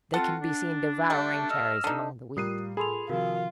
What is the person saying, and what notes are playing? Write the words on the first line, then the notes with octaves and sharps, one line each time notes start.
They can be seen devouring cherries among the wheat.
C4 F4 F#4 A4 F#5
D4
G3 A3
D#5 E6 F6
D3 D#4
A2 G3 F4 A#4 D#6 F#6 C7 D#7
G#4 A4 B5 C6 F7
C3 D#3 F3 F4 F#4 A#4